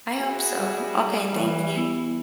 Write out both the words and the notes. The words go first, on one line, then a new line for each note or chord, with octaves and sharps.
I hope so. Okay, thank you.
E4 F#4 G#4
G3
E3
B3 E4